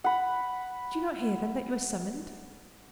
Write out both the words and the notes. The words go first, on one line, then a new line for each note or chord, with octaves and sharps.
"Did you not hear, then, that you were summoned?"
F#5 B5